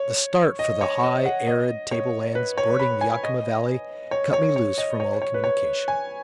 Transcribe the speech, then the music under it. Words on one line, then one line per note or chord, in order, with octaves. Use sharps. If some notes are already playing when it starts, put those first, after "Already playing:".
The start for the high, arid table-lands bordering the Yakima valley cut me loose from all communication.
Already playing: C#5
D#5
C#5
D#5
F#5
D#5
C#5
B4
C#5
B5
G#5
D#5
C#5
C#5
C#5
D#5
C#5
C#5
B4
C#5
G#5